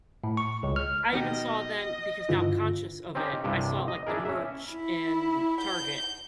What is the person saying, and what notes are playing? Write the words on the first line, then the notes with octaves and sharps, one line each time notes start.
I even saw then because now I'm conscious of it, I saw like the merch in Target.
A2
C#6
C#2
F6
B2 D#3 G4 D#5
G2 D3 E3 F4
C4 C#4 D#4 G4
C2 G2 C3 G4
D#5
D4 E4 G#4 A#4
C#4 E5
E4
G6